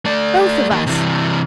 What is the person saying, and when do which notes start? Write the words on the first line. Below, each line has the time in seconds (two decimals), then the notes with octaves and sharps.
"Both of us!"
0.05 A3 D5
0.71 D#3 A#3
0.87 C3 E3